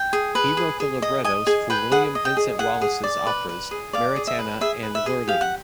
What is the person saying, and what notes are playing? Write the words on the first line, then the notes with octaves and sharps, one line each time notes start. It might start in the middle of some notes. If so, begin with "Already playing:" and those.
He wrote the librettos for William Vincent Wallace's operas "Maritana" and "Lurline".
Already playing: G5
G#4
B4
G#4
G#4
D#5
D#5 G#5
G#4 G#5
B4 G5
G#4 F#5
D#5
G5
G#4
G#4 F#5
G#4
D5
B4
B4
G#4
D5 F5
G#4
E5
B4
G#4 E5
B4
E5
G#4
G4 F5
F#5